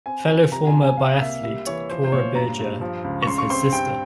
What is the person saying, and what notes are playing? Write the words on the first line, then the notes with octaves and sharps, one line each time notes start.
Fellow former biathlete Tora Berger is his sister.
C4 G#5
F3
C3 A#5
G#5
C3
G#5
C2 F5
A#3 E5
G3 E5
E3 C#5
F3 C5
C5
A#2 C#5
G2 A#5
G2
F3
C#2
C#6
C#3 C6
C#6
C4 C6
G2 G5